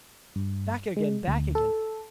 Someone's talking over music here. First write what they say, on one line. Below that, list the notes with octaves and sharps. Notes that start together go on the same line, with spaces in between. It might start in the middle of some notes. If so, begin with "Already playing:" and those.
'Back again! back again!
G2
G#3
D2
A4